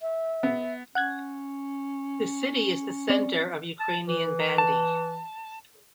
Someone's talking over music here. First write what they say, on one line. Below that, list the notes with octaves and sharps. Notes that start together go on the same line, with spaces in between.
The city is the centre of Ukrainian bandy.
E5
B3
C#4 F#5 F#6 G#6
C4 D5
A5
E3
A5